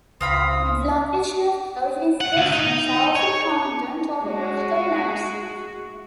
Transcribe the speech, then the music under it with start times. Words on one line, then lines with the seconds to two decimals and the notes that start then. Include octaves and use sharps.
The location of gauging stations are often found on topographical maps.
0.21 C#2 C4 F5 B5 D#6
2.21 F#5
2.37 D2
2.53 D#4
3.16 C#5
4.24 G#3 F#4